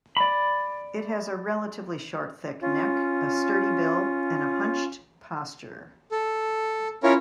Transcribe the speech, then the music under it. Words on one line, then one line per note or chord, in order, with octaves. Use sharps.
It has a relatively short thick neck, a sturdy bill, and a hunched posture.
D5 B5
C#4 F4
A4
C#4 E4 F4 A#4 C#5